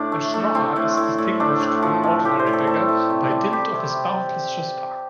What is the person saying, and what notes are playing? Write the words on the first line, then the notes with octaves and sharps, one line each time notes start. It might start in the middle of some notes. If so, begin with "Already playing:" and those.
A "schnorrer" is distinguished from an ordinary beggar by dint of his boundless chutzpah.
Already playing: A2 D4
A3
A3
A2 C4
A2
A2
A2
A3 D4
A2
F3
A2
A2 G4
C5
A2
A4
A3 A4
A2
C3
G3
G3 G4
C3